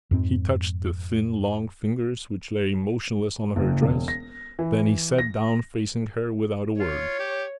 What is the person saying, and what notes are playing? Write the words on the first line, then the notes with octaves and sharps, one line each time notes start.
He touched the thin, long fingers which lay motionless on her dress, then he sat down facing her, without a word.
F2 G#2 C4
F#1
E1
A#6
E3
A#6
F4 C#5
G4